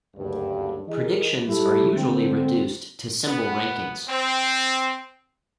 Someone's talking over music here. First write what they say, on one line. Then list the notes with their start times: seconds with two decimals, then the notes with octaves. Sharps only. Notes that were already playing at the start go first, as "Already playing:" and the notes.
Predictions are usually reduced to symbol rankings.
0.16 F#1 D2 G2
0.88 E3 G#4 A#4 D#5
1.48 G3 E4 A4
1.94 D3 C4
3.26 B3
4.09 C4